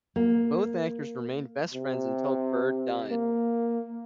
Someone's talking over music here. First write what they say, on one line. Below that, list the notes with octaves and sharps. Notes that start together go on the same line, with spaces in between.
Both actors remained best friends until Berde died.
A#3
C3
A#3